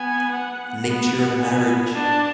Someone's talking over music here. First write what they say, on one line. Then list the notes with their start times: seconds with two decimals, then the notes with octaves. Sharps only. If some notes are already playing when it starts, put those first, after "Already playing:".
Nature of marriage.
Already playing: B3 G#5
0.32 F#5
0.86 B3 F#5
1.40 B3 G#5
1.94 D4 A5